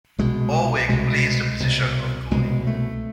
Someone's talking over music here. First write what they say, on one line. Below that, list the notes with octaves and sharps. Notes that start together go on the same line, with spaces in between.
Orwig plays the position of goalie.
C2 B2 G#3
C2 B2 G#3
C2 B2
C2 B2 G#3
A3